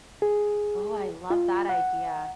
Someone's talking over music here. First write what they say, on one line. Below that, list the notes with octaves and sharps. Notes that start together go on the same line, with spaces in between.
Oh, I love that idea.
G#4
F4
F#5